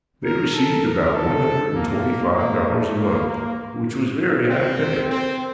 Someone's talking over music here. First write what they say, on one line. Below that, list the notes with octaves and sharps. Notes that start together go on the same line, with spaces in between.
They received about one hundred and twenty-five dollars a month, which was very high pay.
A#4
A4
A#4
A4
A#3
A#3
A3
A#3
A#3
C4
C4